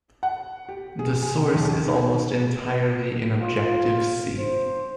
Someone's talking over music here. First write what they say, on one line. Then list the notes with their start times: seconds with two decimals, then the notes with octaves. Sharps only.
The source is almost entirely in Objective-C.
0.23 F#5
0.69 G4
0.99 G#4
1.22 G#5
1.55 D#2
1.74 D#3
3.40 F4
4.39 C5